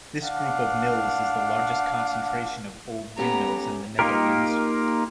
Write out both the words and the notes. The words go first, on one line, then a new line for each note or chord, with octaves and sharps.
This group of mills is the largest concentration of old windmills in the Netherlands.
D4 F5 F#5
A3 B3 C#4 G4 A#5
A#3 D#4 F4 G4 A#4